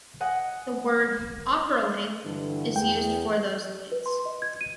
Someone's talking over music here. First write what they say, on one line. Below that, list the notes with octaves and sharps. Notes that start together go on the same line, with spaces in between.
The word "opera length" is used for those lengths.
D#5 F#5 G#5
G2 D3 E3
E2 G5
B4
C6
D#5
G#6
D#7